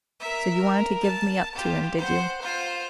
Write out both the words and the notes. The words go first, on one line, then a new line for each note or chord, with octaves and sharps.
So you wanted to give me up to him, did you?
A#4 E5
A#4
A5
F4 G4
C5 F#5
F4 C5